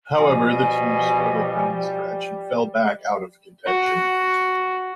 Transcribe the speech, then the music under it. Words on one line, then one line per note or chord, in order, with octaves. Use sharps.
However, the team struggled down the stretch and fell back out of contention.
B2 F3 G3 G#5
F#4